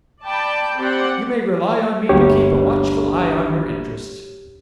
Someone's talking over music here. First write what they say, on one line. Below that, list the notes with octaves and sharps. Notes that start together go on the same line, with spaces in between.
You may rely on me to keep a watchful eye on your interests.
D5 G5 A5 B5
C4 G4 D5 F#5 G5
G1 D2 G4 C#5